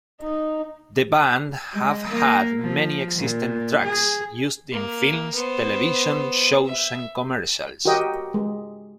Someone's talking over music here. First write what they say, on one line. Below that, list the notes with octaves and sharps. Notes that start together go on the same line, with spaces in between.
The band have had many existing tracks used in films, television shows and commercials.
D#4
G#3
A#3
F3
A#2
G#4
A#3
B3 C5
E5
F#4 G4 A#4 D#5 G5
G#3